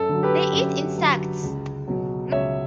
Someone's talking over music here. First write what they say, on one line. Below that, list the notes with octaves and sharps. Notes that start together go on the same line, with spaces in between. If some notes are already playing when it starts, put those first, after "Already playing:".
They eat insects.
Already playing: F#2 A4
D3 F#3
G4 B4
F#2
D3 F#3
C#2
B2 F#3
C#2 C#5 E5